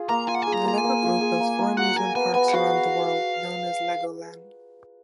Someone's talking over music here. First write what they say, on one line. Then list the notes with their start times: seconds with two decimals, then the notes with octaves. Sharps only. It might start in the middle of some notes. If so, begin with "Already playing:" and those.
The Lego Group built four amusement parks around the world, known as Legoland.
Already playing: F4 G#4
0.09 A#3 A#5
0.27 F4 G#5
0.35 F#5
0.42 G#4 G#5
0.52 A#5
0.65 A#3 A#5
0.78 G#5
0.84 A#3
1.03 F4
1.21 G#4
1.40 A#3
1.59 A#3
1.77 F#4 F#5
1.96 A#4 G#5
2.15 B3 G#5
2.34 B3 G#5
2.48 F#5
2.53 F#4 F5